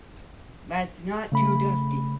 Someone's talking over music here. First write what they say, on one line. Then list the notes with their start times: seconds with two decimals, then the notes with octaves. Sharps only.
That's not too dusty.
1.32 C#3 A3 B5